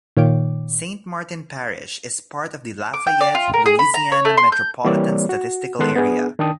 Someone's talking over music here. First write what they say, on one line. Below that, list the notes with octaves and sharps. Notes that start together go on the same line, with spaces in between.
Saint Martin Parish is part of the Lafayette, Louisiana Metropolitan Statistical Area.
A#2 D#3 C#5 F5 G5 D6
D6
G5
D5
F4
A#4
G#4
B5
A#5
C#5
A3
C6
G6
E3 G3 A#3 C4 C#5 D5
F#4
D#3 G#3 B3 A4 C6 F#6
B3 D4 G#4
D#3 D4 G5 A5 D#6